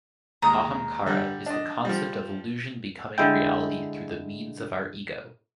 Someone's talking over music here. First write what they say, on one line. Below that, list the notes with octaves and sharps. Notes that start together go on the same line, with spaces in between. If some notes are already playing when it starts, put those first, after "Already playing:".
Ahamkara is the concept of illusion becoming reality through the means of our ego.
D#2 G#3 A#5 D#6
D3 G3
D4 D#5
F3 G3
D3 G#3 E4 G5